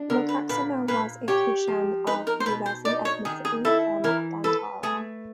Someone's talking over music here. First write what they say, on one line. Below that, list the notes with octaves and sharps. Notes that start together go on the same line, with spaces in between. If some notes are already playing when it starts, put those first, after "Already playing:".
Lokaksema was a Kushan of Yuezhi ethnicity from Gandhara.
Already playing: D4
D3 A#4
B4
A#2 B4
A#2 B4
G4 C#5
F3
D#4 B4
A#4
C5
B2 B4
C5
D#4 D5
C#5
D#3 G#4
G#4
E4 A4
E3 A#4
A4 B4
A3 G#4